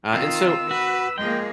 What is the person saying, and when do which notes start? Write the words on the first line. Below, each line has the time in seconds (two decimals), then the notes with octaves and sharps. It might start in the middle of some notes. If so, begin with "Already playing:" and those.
Uh, and so,
0.12 D#3 C4 F4 E6
0.71 F#4 B4
1.18 F3 G#3 A#3 G#4 G5